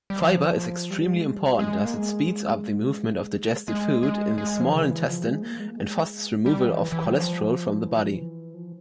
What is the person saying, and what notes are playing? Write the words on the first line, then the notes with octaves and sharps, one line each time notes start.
Fiber is extremely important, as it speeds up the movement of digested food in the small intestine and fosters removal of cholesterol from the body.
G3
F3
G3
G#3
G3
G#3
A#3
G#3
G#3
G#3
G#3
F3
C#3
E3
F3
G#3
A#3
G#3
A#3
G#3
G3
E3
E3
G3
F3
E3
F3
E3
F3